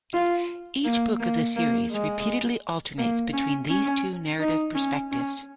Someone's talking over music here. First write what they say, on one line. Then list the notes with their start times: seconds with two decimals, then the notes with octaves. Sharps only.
Each book of the series repeatedly alternates between these two narrative perspectives.
0.14 F4
0.85 A#3
1.20 A#3
1.56 A#3
1.91 G#3
2.98 A#3
3.33 C#4
3.69 C#4
4.40 D#4
4.75 C#4
5.12 C#4